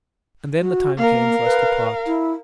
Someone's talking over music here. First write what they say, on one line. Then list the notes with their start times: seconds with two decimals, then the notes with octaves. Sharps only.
And then the time came for us to part.
0.61 F#4
0.98 A#3 A#4 F5
1.44 B4
2.06 E4